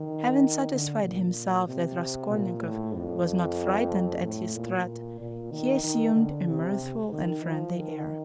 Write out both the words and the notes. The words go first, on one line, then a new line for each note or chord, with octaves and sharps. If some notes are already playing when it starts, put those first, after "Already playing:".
Having satisfied himself that Raskolnikov was not frightened at his threat, he assumed a mirthful and friendly air.
Already playing: D#3
D3
A#2
C3
A#2
A2
F2
A2
A#2
A#2
D#3
D#3
D3
C3
D#3
F3
D#3